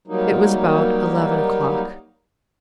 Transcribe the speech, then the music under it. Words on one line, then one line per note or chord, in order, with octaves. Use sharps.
It was about eleven o'clock.
F#3 G3 A#3 D#4